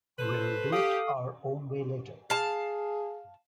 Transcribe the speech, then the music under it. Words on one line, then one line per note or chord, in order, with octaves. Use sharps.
We'll do it our own way later.
A4 B4 C5
G4 A4 F5 D#6
G#4 F5 A5